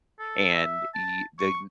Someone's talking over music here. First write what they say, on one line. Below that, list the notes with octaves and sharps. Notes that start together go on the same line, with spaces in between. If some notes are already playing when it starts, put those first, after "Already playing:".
and y the
A4
E5
A5
C#6